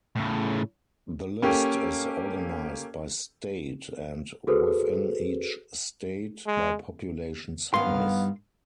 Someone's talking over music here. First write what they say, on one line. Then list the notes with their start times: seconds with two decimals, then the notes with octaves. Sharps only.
The list is organized by state and, within each state, by population size.
0.16 A2 C#3
1.42 A#3 C#4 G4 A4
4.47 F#4 G#4 A4 B4 C5
6.47 G#3
7.74 G2 D#3 B3 F5 C6